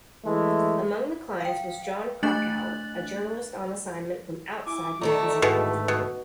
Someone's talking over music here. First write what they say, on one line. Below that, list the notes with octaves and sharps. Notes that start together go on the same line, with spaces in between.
Among the clients was Jon Krakauer, a journalist on assignment from "Outside" magazine.
E3 G#3 A3
F5 G5
A3 D4 F#6 A6 F#7
E4 G#5 D6
D2 D#3 A3 A4 D5 A#5 C#6
G#2 B2 E3 G#3 B4
B2